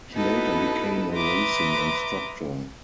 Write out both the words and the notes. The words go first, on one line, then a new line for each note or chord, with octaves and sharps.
He later became a racing instructor.
B3 D#4 E4 F#4 A4 B4
B4 E5 A#5 C6 D6 D#6